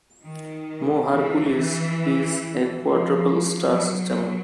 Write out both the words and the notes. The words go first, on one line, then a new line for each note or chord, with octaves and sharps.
Mu Herculis is a quadruple star system.
D#3
E3
F3
F#3